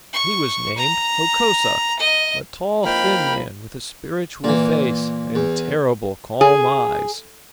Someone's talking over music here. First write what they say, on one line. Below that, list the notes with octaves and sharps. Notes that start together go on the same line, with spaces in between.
He was named Hokosa, a tall, thin man, with a spiritual face and terrible calm eyes.
C#6
A#5
D#5
F3 A#3 C4 D#4 G5 B5 F6
A#2 E3
E2
G#4